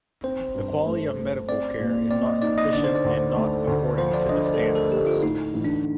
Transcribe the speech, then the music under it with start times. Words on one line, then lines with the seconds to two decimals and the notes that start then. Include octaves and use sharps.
The quality of medical care is not sufficient and not according to the standards.
0.23 C4 C5
0.54 G2
0.86 A3
1.18 A3
1.48 C4 D5
1.80 A#2
2.11 C4 D5
2.26 D#5
2.42 D#4 D5
2.58 D#5
2.73 D3 D5
2.84 C5
2.95 D5
3.04 D2
3.36 A3
3.67 D2
3.98 F3 C5
4.14 D5
4.29 D3 D#5
4.45 D5
4.54 A4
4.60 A3 A#4
4.75 A4
4.92 A3 G4
5.07 F4
5.23 A2 D#4
5.54 A1
5.64 D4